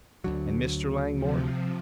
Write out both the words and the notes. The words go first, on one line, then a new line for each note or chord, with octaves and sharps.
"And Mr. Langmore?"
D2 D3 F#3
C3 F3